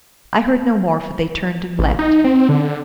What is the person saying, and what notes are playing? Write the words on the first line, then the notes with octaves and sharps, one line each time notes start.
I heard no more, for they turned and left.
A1
D#4
C4
D3